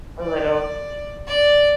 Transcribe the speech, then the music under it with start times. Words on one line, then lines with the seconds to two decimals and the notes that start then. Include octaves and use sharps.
a little.
0.22 D5
1.27 D5